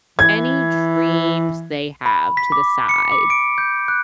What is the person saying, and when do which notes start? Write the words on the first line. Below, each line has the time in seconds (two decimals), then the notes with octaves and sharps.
any dreams they have to the side.
0.19 E3 G#6
2.06 B5
2.37 B6
2.52 D6
2.89 C#7
3.12 D6
3.30 D7
3.58 G6
3.88 F#6